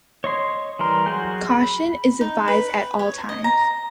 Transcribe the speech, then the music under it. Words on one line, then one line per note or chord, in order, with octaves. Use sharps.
Caution is advised at all times.
C#5 D#5 C6
E3 G3 A#4 C6
F#3 F#4 G#4 G#5 G6
B5
D#4
B4
C#5
D#5
A#5